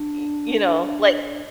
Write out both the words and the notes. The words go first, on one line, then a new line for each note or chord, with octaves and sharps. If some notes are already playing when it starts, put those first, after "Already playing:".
Y you know, like
Already playing: D4